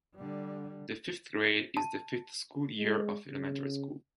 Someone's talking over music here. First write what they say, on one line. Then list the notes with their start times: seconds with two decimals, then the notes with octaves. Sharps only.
The fifth grade is the fifth school year of elementary school.
0.15 D3 G3
1.77 A5
2.77 G#3
3.28 C#3